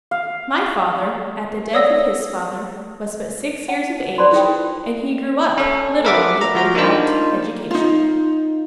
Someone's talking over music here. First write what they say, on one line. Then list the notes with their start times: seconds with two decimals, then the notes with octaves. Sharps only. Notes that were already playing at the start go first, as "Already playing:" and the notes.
"My father, at the death of his father, was but six years of age; and he grew up, literally without education."
0.11 F5
1.73 C#5 D5 D#6 E6 A#6
3.68 F#5 A5
4.18 B4 C5 D5 A5 B5 C6
4.33 E4 F4 G#4 A4 G5
5.58 C#4 A4
6.05 A#4 B4 E5 F#5 D6
6.41 A#5
6.55 F3 F#4 A#5
6.75 A#3 D4 D#4 F4 C5
7.71 D#4 F4